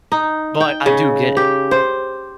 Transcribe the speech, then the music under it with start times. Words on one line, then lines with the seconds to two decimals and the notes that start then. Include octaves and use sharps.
But I do get it.
0.12 D#4
0.60 G5
0.86 C#3
1.37 G4
1.71 C5